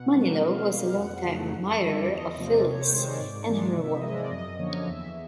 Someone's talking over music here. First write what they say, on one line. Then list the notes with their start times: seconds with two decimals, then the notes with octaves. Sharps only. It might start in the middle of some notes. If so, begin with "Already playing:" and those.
Manilow was a long time admirer of Phyllis and her work.
Already playing: B2 F#5
0.13 G3 A#3
0.41 B2 F5
0.69 G3 A#3
0.97 F2 F#5
1.24 C#3 F#3 A3
1.53 F#2
1.71 E5
1.81 D3 G3
1.90 D5
2.08 E2 D#5
2.27 D#5
2.36 C3 F3 A3
2.45 D5
2.64 C3 C#5
2.78 C5
2.92 D#3 G#3 C5
3.06 D5
3.20 G#2
3.48 E3 G#3
3.75 C3 E5
3.94 D#5
4.03 F3 G#3
4.13 D5
4.31 F#2 D#5
4.58 D3 F3 A#3 C#5
4.87 E2 E5